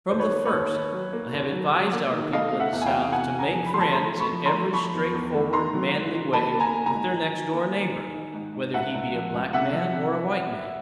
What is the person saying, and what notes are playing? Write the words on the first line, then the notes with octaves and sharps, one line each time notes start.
From the first, I have advised our people in the South to make friends in every straightforward, manly way with their next-door neighbour, whether he be a black man or a white man.
D#2 C5
B4 C#5
A#3
B4 C#5
D#2
D#3
F#3
A#3
D#2
F#3
F#3
A#3
D#3
A3 D#5 F5
A3
E5 F#5
E2
G#5
F5 G5
C3
E2 F#5 G#5
E2
G#5 A#5
F3
B5
A3 C6
A5 B5
A3 A#5 C6
A3
B5 C#6
F3
A#5 C6
A3
F3 B5 C#6
E2
E2
A3
D#3 A#5 C6
F#3
G#2
D#3
A#3 A5 B5
A#3
G#5 A#5
A#3
G#5 A#5
G#2
D#3
D#3
A#3
D#3
D#3
D#3
G#2
G#2
C#2 E5 F#5
C#2
F3
C#2
C3 E5 F#5
F3
C3